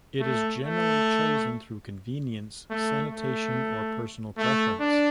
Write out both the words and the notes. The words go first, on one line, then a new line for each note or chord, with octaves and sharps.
It is generally chosen through convenience, sanitation, or personal preference.
A3
A3
A3
A3
A3
D4